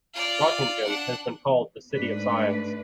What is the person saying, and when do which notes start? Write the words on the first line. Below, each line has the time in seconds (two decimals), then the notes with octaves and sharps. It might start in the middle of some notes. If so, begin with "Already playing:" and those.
Göttingen has been called "the city of science".
0.14 F4 D5
0.84 D4 F#5
1.92 G#2 A3 D4 B4